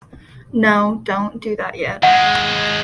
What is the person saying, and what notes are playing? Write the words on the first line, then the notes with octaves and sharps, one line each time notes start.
No, don't do that yet.
D#2 G#3 F#5